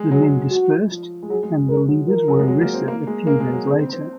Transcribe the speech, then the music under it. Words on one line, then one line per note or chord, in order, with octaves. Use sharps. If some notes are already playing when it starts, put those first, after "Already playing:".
The men dispersed and the leaders were arrested a few days later.
Already playing: G#3
F#3 G#4
F#4
F3
G#3
F#3 G#4
G#3
G#3 A#4
F#3
F3 A#4
F#3
G#3
F#3
A#3
C4
A#3
G#3
A#3 A#4
G#3
F#3
C4 G#4
C4
C4